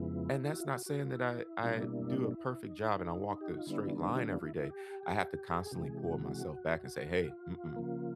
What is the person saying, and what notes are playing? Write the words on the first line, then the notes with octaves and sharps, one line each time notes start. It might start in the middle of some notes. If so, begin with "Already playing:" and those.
and that's not saying that I I do a perfect job, and I walk the straight line every day, I have to constantly pull myself back, and say, "Hey, mm-mm,
Already playing: F2 C#3 F3 G#3 B3 E4
F#4
F4
F#4
F#4
F4
E4
B2 G3 A#3 D4
D#4
E4
E4
D#4
G4
F#4
F4
D3 G3 B3 D4 E4
D#4
F#4
F4
F4
E4
E4
G4
G#4
C3 E3 G#3 G4
G#4
G4
F#4
F4
C#3 F3 A#3